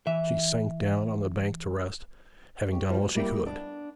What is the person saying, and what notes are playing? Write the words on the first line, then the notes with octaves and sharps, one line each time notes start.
She sank down on the bank to rest, having done all she could.
E3 E5
G4 C#5
F3 G3 F4 F#4 C5
B2
G3 A#3 E4 D5 G5
B3 D4